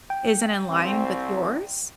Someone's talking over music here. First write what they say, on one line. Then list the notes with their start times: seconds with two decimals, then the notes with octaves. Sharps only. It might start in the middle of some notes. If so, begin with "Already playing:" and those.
isn't in line with yours,
0.10 G5
0.70 C2 C4